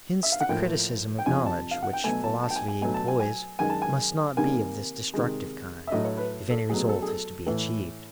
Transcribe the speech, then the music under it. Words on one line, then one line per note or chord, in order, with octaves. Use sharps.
Hence the criticism of knowledge which philosophy employs must not be of this destructive kind, if any result is to be achieved.
E5
F5
F#5
A2 F3 A#3 G5
G5
F2 C3 F3 G#5
A5
F5
F#5
G5
B2 F#3 A3 G#5
A5
A5
G5
G#5
G#5
B2 F#3 A3 G#5
A5
G#5
G#5
F#2 D#3 G#3 G#5
A5
G#5
C3 D#3 G3 A#3 G#5
C3 D#3 G#3
E5
A2 F#3 A3 D#5
C#5
B4
A4
B2 F#3 A3 G#4
A4
G#4
A4
A2 E3 A3